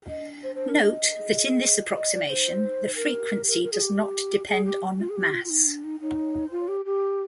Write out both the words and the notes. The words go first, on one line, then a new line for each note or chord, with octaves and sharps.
Note that, in this approximation, the frequency does not depend on mass.
D#5
C5
C5
A#4
D#5
D#5
D5
C5
A#4
A#4
A#4
G#4
G4
G#4
G4
F4
G#4
G4
F4
F4
D#4
D4
D#4
D#4
F4
G4
G4